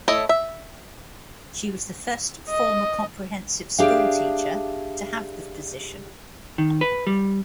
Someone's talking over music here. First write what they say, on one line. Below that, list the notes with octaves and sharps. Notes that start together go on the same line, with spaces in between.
She was the first former comprehensive school teacher to have the position.
A3 E4 A4 C#5 D#5
E5
D#5
D4 G4 G#4 E5 F5 G5
D#3
B4
G3